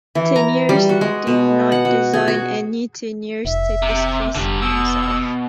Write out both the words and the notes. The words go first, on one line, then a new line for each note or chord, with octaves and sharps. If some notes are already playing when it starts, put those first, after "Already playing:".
Teniers did not design any Teniers tapestries himself.
E3
A#5
G3
F#4
G#3
B2
F#5
F#4
G#4
F#4
F1 E5
C3
F1 D3 G3
B2 E6